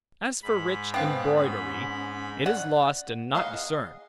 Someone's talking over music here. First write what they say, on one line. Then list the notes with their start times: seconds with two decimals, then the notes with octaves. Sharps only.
As for rich embroidery, it is lost and not discerned.
0.43 G#2 B5
0.94 B3 C#4 C5 F5 G5
2.46 D5 F#5
3.35 G#4 C5 D#5 F5 F#5